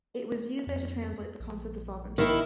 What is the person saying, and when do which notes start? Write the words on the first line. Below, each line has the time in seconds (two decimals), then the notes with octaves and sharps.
It was used there to translate the concept of sovereignty.
0.67 F2
1.40 A#1
2.18 D#3 E4